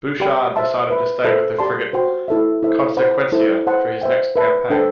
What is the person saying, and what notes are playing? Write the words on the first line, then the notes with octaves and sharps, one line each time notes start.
Bouchard decided to stay with the frigate "Consecuencia" for his next campaign.
G4 D5 G5 B5
C5 E5 A5 C6
B4 E5 B5
A4 C5 E5 B5
G4 D5 A5 C6
F#4 C5 G5 C6
E4 A4 E5
E4 A4 C5 E5
C5 F#5 B5
E4 A4 C5
C5 F#5 A5 C6
C5 E5 G5
B4 E5 A5
D4 A4 C5 G5